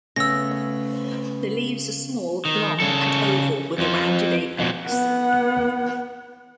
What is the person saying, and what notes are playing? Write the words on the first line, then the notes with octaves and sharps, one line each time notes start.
The leaves are small, long, and oval with a rounded apex.
C#3 A3 B3 E6 A#6
D#3
C#3 A4
F2 F3
F2 B2
B3 F#5